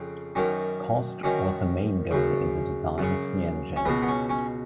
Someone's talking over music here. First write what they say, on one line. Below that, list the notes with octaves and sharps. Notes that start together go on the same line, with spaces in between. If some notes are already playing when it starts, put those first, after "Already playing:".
Cost was the main goal in the design of the engine.
Already playing: F2 C#3
F#2 D#3 C#4
F#2 D#3 C#4
F#2 C#3
F#2 C#3
C#4
C#2 B2 B3
B3
C#4
C#4